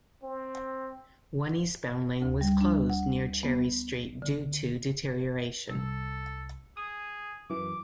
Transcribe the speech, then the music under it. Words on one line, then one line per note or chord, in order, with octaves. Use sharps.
One eastbound lane was closed near Cherry Street due to deterioration.
C4
D2
G3
D4
F#5
B3
D3
C2 A4
G#4 D#6
F#2 E3 D6